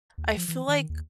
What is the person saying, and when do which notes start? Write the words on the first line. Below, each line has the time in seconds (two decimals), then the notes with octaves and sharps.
I feel like
0.18 D#2
0.37 F3
0.48 E3
0.68 D#3
0.89 D#2